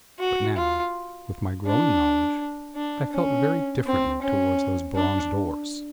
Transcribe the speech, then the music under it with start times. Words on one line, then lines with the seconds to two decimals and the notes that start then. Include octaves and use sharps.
But now, with my growing knowledge, I felt very differently towards those bronze doors.
0.19 F#4
0.56 F4
1.66 D4
2.76 D4
3.12 C#4
3.86 C4
4.22 C#4
4.95 D4